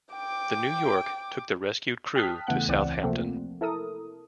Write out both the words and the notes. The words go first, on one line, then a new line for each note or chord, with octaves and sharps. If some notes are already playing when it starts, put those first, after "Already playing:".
The "New York" took the rescued crew to Southampton.
G5 D6
G5 A5 D#6 F6 F#6 B6
E2 C#3 A3 B3 F#5 F#6
C#2 E3 C4 D5 F#5
C3 F3 A3 A#3 C4
E4 A4 A#4 D#6